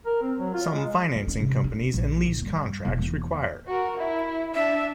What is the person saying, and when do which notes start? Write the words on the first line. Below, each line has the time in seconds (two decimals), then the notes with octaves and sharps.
Some financing companies and lease contracts require it.
0.06 A#4
0.22 C4
0.39 F#3
0.54 F4
0.73 G#3
1.15 D3
1.27 C#4
1.40 C3
1.64 D4
1.94 A#1
2.23 F#1
2.41 G2
2.85 E1
2.99 E2
3.67 F#4 A#4
3.98 E4
4.54 D4 E5